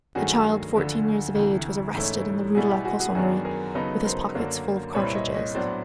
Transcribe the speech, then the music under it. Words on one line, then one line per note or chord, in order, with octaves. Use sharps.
A child fourteen years of age was arrested in the Rue de la Cossonerie, with his pockets full of cartridges.
G2 D#3 F#3 A3 F#4 G#4
D2 D3 F3
D2 C3 E3
G#2 E3 A3 C#4 E4
B2 G3 B3 E4 F#4 G#4
G4
F#4 G#4
F#4 G#4
F#2 D#3 F#3 B3 D4 F#4 G#4
G#4 A#4
C#3 F#3 B3 D#4 A4 B4
A#4 C5
F#2 D3 F#3 A#3 D4
C2 A#2 G3 C4 E4 B4 C#5
C#5 D#5
C#5 D#5
A2 F#3 B3 D4 C5 D5